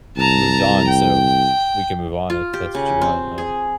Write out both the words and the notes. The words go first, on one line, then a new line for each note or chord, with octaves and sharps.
moved on, so m we can move on if that's what you want, um,
C2 A5 A#5
G5
F4
G4
C#3
C4
G#4